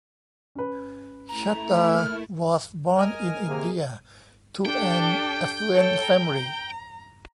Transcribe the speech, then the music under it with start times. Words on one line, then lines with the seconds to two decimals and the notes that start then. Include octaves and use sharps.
Chaddha was born in India to an affluent family.
0.55 C#4 B4
1.29 A3 E4 A#5
1.94 A#3 F6
2.97 A#4 D#5 G#5 F6
3.47 C3 A#3 G#4
4.65 D4 G4 A4 G5
5.71 A4 C#5
6.04 A#5